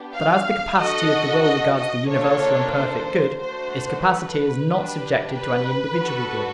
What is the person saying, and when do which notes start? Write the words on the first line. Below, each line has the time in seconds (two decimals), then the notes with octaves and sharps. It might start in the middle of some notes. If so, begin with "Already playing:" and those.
But as the capacity of the will regards the universal and perfect good, its capacity is not subjected to any individual good.
Already playing: B3 D4 G4
0.14 F5
0.79 D4 F#4 A4 D#5
1.43 D#5
1.76 D#5
2.09 A#3 D4 F4 A4 C#5
2.74 C5
3.39 A3 D4 F#4 C5
4.04 B4
4.70 D4 G4
5.35 B4
5.99 D4 F#4 A4